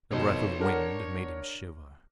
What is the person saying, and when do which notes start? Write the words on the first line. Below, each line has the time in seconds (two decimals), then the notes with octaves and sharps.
A breath of wind made him shiver.
0.12 F2 B2 D#3 C#5 C6
0.59 D4 A#4 F#5